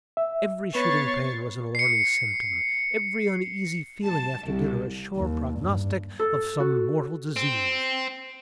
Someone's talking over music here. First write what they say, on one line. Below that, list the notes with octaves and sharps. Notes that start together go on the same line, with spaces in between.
Every shooting pain was an alarming symptom,--every uneasy feeling after dinner a sure prognostic of some mortal disease.
E5
B3 B4 C#5 C#6 A6 C7
C7 C#7
A5
C2
D#2
G2
A4
F#4
C4